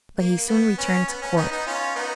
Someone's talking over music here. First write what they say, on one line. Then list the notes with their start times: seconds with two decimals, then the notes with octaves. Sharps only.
But he soon returned to court.
0.18 A#3
0.48 B3
0.78 C#4
1.08 B3
1.22 C#4
1.36 B3 D#4
1.51 B3 D#4
1.66 C#4 F4
1.95 B3 D#4